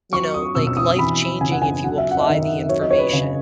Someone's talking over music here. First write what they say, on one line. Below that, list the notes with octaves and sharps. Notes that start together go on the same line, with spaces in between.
you know, like, life changing if you apply the information,
F#3 C#6
D#6
B2 E6
E6
D#6
E3 B5
C#3 G#5
F#5
G#5
F#3 F#5
E5
F#5
D#5
D#3 E5
F#3 C#5
D#5
C#5
B4
C#3